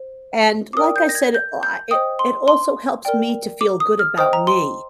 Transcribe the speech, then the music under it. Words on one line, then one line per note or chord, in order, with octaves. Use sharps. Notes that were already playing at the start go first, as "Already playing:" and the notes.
and like I said, I it it also helps me to feel good about me,
Already playing: C5
D6
A#4 D5 G5 D#6
G6
A#6
G#6
G6
G6
C5 D#5 G5 D#6
C6
C6
A#4 D5 G5
D6
D#6
F6
C5 D#5 G5 D#6
A#5
C6